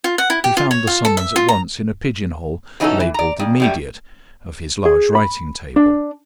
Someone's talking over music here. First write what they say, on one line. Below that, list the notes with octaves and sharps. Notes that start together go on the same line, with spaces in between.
He found the summons at once in a pigeon hole, labelled "immediate," of his large writing table.
F4
F#5
E4
G4
F4
C#5
F4
A4
E5
F4
A#5
B2 E3 C#4 D#4 F#4 A4
E3
D5 A#5
F2
F#2 G3 A3
G#4
B5
D4